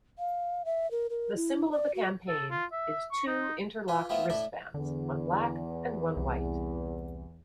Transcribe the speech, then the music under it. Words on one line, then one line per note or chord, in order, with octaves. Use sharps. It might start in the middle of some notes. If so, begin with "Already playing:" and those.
The symbol of the campaign is two interlocked wristbands, one black, and one white.
F5
E5
A#4
A#4
E4
D5
F#4
A4
F4
E5
C#6
D#4
F4 B4 G#5
F3 A3 B3 C4 E4 F4
A2 D4 E4 A4 B5
E2 D3
C2